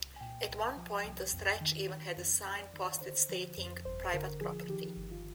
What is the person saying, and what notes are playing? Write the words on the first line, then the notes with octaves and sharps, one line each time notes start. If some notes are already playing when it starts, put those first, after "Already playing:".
At one point a stretch even had a sign posted stating Private Property.
Already playing: C2
G#5
A#2 G5
C2
F3
C2
F2
D#3
D#3
F2
F2
D5
D#3
D3 C5
F3
F2
G1 C5
D3 A#4
F3 G#4
D#3 G4
G1
F4